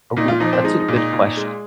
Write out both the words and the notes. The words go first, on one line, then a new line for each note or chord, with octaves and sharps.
Ooh, that's a good question.
A#2 D#4
F4
F3 D#4
C4
G#3 D#4
D#4
A#2
D#4
A#2
G#3